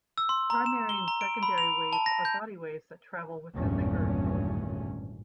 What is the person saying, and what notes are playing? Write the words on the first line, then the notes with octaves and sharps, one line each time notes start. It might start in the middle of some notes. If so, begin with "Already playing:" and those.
Primary and secondary waves are body waves that travel within the Earth.
E6
C6
A#5
E7
G7
A#5
D7
B5
F7
A5
A#6
G6
G#1 E2 G2 A#2 A3 C#4